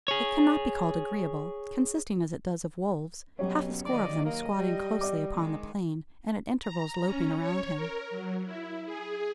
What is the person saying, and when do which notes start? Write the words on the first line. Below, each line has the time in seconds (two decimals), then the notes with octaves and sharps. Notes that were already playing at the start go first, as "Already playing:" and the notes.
It cannot be called agreeable;--consisting as it does of wolves--half a score of them squatting closely upon the plain, and at intervals loping around him.
0.08 G#4 C#5
3.39 B2 F#3 C#4 G4 C#5
3.85 D#3 A#3 D5 D#5
4.25 A#3 D#5
4.58 G3
5.01 D5 D6
5.34 D#3 G#3
6.61 A#5
7.05 C#4
7.40 C#5
7.74 A#4
8.10 F#3
8.45 E4
8.86 G#4